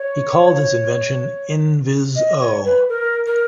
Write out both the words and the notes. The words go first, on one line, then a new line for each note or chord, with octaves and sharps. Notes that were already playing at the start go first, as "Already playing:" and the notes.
He called his invention "N-vis-o".
Already playing: C#5
D#5
C#5
B4
A#4
A#4